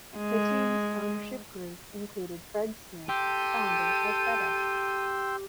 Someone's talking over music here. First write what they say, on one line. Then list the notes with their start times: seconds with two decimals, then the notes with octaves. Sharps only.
The team's ownership group included Fred Smith, founder of FedEx.
0.18 G#3
3.09 G4 A4 G5 C6 E6 D#7